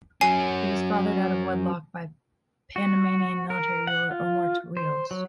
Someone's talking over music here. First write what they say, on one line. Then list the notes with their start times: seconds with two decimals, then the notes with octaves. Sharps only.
He was fathered out of wedlock by Panamanian military ruler Omar Torrijos.
0.21 F#3 C#4 G#5 C7
2.76 F#4
3.50 A#4
3.87 F#5
4.11 F4
4.77 C5
5.11 F#3